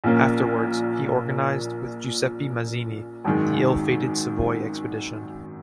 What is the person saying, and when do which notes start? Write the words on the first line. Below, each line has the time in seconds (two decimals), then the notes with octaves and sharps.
Afterwards he organized, with Giuseppe Mazzini, the ill-fated Savoy expedition.
0.04 A#1 A#2 A#3 C#4
3.24 G#1 F#2 D#3 G#3